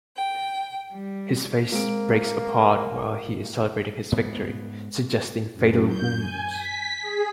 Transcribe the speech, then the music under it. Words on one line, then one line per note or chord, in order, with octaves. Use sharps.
His face breaks apart while he is celebrating his victory, suggesting fatal wounds.
G5
G3
G#3 A#3 C4 D7
G#2 B3
F#2
G6
G#5
B6
G#4